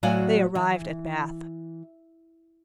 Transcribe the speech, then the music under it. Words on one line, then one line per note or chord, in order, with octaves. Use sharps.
They arrived at Bath.
A2 F#3 F#4 D5 F5 G#5
E3